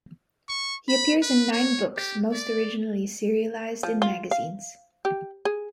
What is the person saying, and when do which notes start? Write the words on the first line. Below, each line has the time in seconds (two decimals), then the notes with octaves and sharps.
He appears in nine books, most originally serialized in magazines.
0.49 C#6
0.89 B5
1.22 B4
1.52 C#5
1.97 G4
2.32 D5
3.83 F3
4.02 F4
4.31 F5
5.05 G4
5.45 G#4